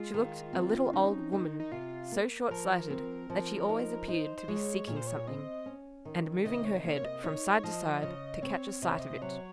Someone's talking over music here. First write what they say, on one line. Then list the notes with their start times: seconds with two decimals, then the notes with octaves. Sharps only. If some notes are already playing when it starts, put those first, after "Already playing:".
She looked a little old woman, so short-sighted that she always appeared to be seeking something, and moving her head from side to side to catch a sight of it.
Already playing: G#3 F4
0.14 D#3
0.53 C4
0.93 C#4 D#4
1.32 D#3 D#4
1.60 D#4
1.72 C3 F4
2.12 A#3
2.51 F3 A#4
2.90 C4
3.30 F3
3.69 D#4
4.08 D#4 C5
4.38 C5
4.48 G#3 C#5
4.87 A#2 C#5
4.97 C5
5.07 C#5
5.27 C4 D#5
5.66 C#4
6.05 D#3
6.45 C3 D#5
6.65 C#5
6.80 D#5
6.84 A#3 C#5
6.97 C#5
7.04 D#5
7.24 D#4 C#5
7.54 C#5
7.64 F3 D#5
8.03 C#3 D#5
8.42 C4 C#5
8.82 C3 D#5
8.91 C#5
8.99 D#5
9.22 F#3 C#5